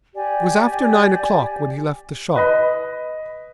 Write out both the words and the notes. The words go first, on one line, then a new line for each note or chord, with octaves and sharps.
It was after nine o'clock when he left the shop.
G4 D5 G#5
B4 D#5 B5